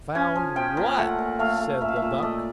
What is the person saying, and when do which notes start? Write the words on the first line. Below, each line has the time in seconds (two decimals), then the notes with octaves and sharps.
'Found WHAT?' said the Duck.
0.15 C#4 G#5
0.36 F3
0.56 F3 G5
0.77 A#2
0.97 A3 F#5
1.19 A#2
1.39 A3 F5
1.60 A3
1.81 A#2 E5
1.88 F5
1.96 E5
2.02 A#2
2.18 A3 D5 D#5